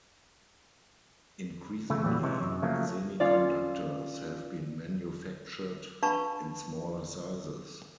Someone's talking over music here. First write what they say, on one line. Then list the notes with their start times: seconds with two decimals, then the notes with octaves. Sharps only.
Increasingly, semiconductors have been manufactured in smaller sizes.
1.90 C#3 A3
2.03 A#2 E3 F#3 G3
2.23 C3 E3 G#3 C#4
2.41 F#2
2.62 C#3 F3 F#3 A3 A#3
3.20 C#4 F4 D5
6.03 D4 B4 F5 A5 B5 C#6